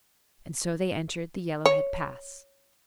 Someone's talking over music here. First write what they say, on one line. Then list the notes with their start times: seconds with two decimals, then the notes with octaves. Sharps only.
And so they entered the Yellowhead Pass.
1.66 C#5